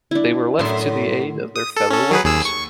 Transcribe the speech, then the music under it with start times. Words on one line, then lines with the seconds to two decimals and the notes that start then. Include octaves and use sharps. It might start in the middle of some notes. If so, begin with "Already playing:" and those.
They were left to the aid of their fellow workers.
0.11 D4 E4
0.59 F#2 A2 E5 C6
1.56 D#6
1.77 A4
1.90 C#4 A4
2.11 F#3 G#4 B4
2.24 D#2 G#4 E6
2.45 C#6